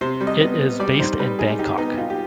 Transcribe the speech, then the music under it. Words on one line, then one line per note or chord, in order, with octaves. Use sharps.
It is based in Bangkok.
C3 C5
G3
D#5
B3
B3
G3 D5
D#4 C5
G3 B4
D#4 G#4
D#4 G4
B3 D#4
D#4 F4
G4